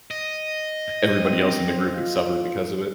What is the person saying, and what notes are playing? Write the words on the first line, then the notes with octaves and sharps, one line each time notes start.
everybody else in the group would suffer because of it.
D#5
C4
F4